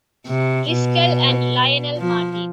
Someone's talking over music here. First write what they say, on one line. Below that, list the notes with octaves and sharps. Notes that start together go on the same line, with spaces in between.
Driskell, and Lionel Martin.
C3
B2
F3